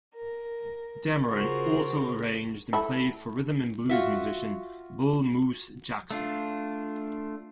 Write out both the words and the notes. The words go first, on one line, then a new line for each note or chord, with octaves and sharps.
Dameron also arranged and played for rhythm and blues musician Bull Moose Jackson.
A#4
C#3 F4 F#4 G#4 A#4 C5
A3 E4
F4 F#4 E5
A3 D4 F4